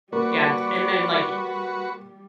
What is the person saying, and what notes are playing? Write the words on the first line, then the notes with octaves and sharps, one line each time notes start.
Yeah d and then, like
G3 A#3 F#4 B4 D5 C#6